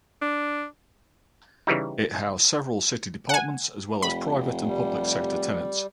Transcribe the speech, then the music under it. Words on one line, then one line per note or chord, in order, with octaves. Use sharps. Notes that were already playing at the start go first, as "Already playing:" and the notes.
It housed several City departments as well as private and public sector tenants.
D4
C#3 E3 G3 D#4
F#5 G#5
F1 B5
G3